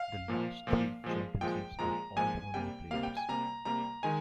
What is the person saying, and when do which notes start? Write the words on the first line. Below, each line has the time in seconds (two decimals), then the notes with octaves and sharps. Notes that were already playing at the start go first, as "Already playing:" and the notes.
The last three championships were all won in playoffs.
Already playing: F5
0.28 A#2 F3 A#3
0.67 A#2 F3 A#3
1.04 A#2 F3 G#3
1.41 A#2 F3 G#3 G5
1.79 A#2 F3 G#3 A#5
2.16 A#2 F3 G#3 G#5
2.54 C3 G3 A#3 G5
2.91 C3 G3 A#3 F5
3.03 G5
3.17 G#5
3.28 C3 G3 A#3 A#5
3.65 C3 G3 A#3 A#5
4.03 D#3 G#3 G#5